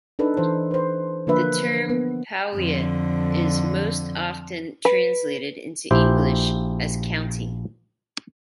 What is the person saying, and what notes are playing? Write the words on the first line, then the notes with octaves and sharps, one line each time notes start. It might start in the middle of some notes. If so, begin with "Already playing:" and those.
The term "powiat" is most often translated into English as "county".
D4 D#4 A4 B4
E3 E4 C5
B4 C5
D3 F3 A#3 D4 B4 E5
B3
F2 D3
B4
A#1 E4 G4 C5 G5